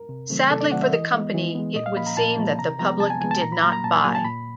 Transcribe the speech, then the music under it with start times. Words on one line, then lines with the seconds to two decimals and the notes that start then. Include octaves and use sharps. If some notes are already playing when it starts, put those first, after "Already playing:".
Sadly for the company, it would seem that the public did not buy.
Already playing: A#4
0.09 C3
0.30 D#3 F#3 A3 C4
0.51 C3 A4
0.61 D5
0.72 D#3 F#3 A3 C4 F#5
0.82 E5
0.92 E3 D#5
1.13 G#3 B3
1.34 E3
1.55 G#3 B3
1.75 A#2 D#5
1.86 F5
1.96 F3 A#3 B5
2.07 A#5
2.17 A#2 A5
2.38 F3 A#3
2.59 C3 A#5
2.79 F3 G#3 B3 A#5
3.00 C3 A5
3.10 G#5
3.21 F3 G#3 B3 G#5
3.31 A5
3.42 A#2 A#5
3.52 B5
3.62 F#3 A#3 A#5
3.73 A#5
3.84 A#2 A5
3.93 G#5
4.04 F#3 A#3 G#5
4.15 A5
4.25 A#2 B5